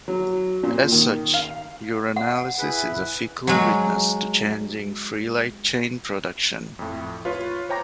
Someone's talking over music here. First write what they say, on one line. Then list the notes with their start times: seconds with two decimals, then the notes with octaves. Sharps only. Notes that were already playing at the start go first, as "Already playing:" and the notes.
As such, urinalysis is a fickle witness to changing free light chain production.
0.08 F#3
0.63 A#2
0.92 D#3
1.34 F5
2.16 F#5
2.59 E4 G#4 B4
3.47 F#3 G#3
6.79 F2 A2
7.25 F4 B4 C#5
7.69 C5 C#5 G5 A#5 D6 A#6